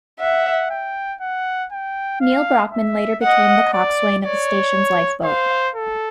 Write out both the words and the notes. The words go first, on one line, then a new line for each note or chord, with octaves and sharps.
Neil Brockman later became the coxswain of the station's lifeboat.
E5 F#5
G5
F#5
G5
F5
E5
D#5 F#5
D5
C#5 D5
C5 F5
A4